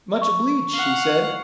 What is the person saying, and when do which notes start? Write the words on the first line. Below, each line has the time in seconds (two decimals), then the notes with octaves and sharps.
"Much obleeged," she said.
0.22 C#6
0.74 F5 F#5